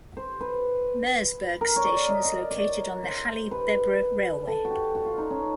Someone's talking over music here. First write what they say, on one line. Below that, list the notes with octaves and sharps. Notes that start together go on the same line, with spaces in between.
Merseburg station is located on the Halle-Bebra railway.
C5
B4
A#4
C#5
D5
D#5
D#5
D5
D5
C#5
C5
B4
A4
F#4
G4
F#4
F4
D#4
C#4